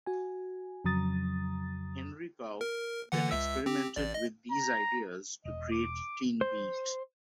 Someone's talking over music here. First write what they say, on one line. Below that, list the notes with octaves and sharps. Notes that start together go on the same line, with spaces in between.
Henry Cow then experimented with these ideas to create "Teenbeat".
F#4 G#5
F2 C#3 F#3 A#5 D#6 A6
A#4
D3 E3 F#5
C#2 E5 E6
C4 G4
A1 D5
D#5
A#5
E1 D#5
D6
C5